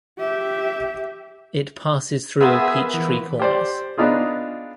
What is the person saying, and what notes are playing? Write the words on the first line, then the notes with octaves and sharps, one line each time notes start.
It passes through Peachtree Corners.
G4 E5
B3 F4 G#4 A#4 E5
E3
G4 C5 D5
B3 D4 D#4 F4 G#4